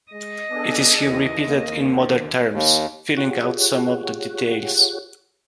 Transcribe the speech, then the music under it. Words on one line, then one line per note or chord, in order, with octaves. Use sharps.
It is here repeated in modern terms, filling out some of the details.
G#3 D#5
B3 D4 G#4 A4
D#2 E3
A#3
D3
D#2
F4 G4 G#4 C#5 F#5